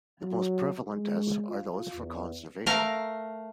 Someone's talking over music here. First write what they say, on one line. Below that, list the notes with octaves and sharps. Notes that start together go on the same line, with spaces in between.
The most prevalent tests are those for conservation.
F#3
G#3
F4
E2
A3 A#4 F5 A#5